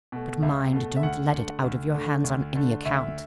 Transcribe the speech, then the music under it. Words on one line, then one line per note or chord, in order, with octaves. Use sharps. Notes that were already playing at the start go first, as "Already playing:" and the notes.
But mind, don't let it out of your hands on any account.
B2 A3
C#2 E5
B2 A3
E5
D2 F#5
D3 A3
D2
D3 A3
D2
D3 A3
D2 E5